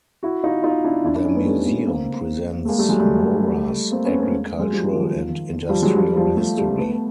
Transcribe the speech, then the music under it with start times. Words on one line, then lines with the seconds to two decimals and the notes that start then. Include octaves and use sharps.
The museum presents Moura's agricultural and industrial history.
0.23 E4 F#4
0.44 D#4 F4
0.63 D#4 F4
0.84 D4 E4
1.04 D4 E4
1.15 D4 E4
1.25 C#4 D#4
1.35 A3 B3
1.46 G3 A3
1.66 A3 B3
1.87 A#3 C4
2.65 A3
2.68 G#3 A#3
2.78 G3 A3
2.89 F#3 G#3
3.00 G3 A3
3.91 A#3 C4
4.05 B3 C#4
4.13 C4
4.19 A3 B3
4.32 G#3 A#3
4.59 F#3 G#3
4.73 F3 G3
4.93 D#3 F3
5.69 F3 G3
5.82 F#3 G#3
5.95 F3 G3
6.16 F3 G3
6.37 G3 A3
6.57 G3 A3
6.78 A3 B3
6.92 B3